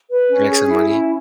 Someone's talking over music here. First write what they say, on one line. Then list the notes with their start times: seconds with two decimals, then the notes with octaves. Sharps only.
Make some money?
0.09 B4
0.29 C#4
0.48 G#4
0.69 E4
0.89 C#4